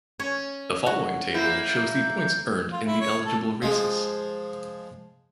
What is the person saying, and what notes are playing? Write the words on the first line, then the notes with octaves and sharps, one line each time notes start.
The following table shows the points earned in the eligible races.
C#4 C#5
F#4
A#3 E4 G6
F4
E4
C#5
A4
F3 G#3